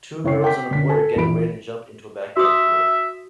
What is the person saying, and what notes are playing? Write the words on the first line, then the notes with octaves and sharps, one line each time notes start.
Two girls and a boy are getting ready to jump into a backyard pool.
C#3 E4 C#5 G5 C#6 C7
G5 D6 B6
D3 C#4 B6
A4 G#5 A5
A#1 E3 G#4 B5 D7
F#4 E5 D#6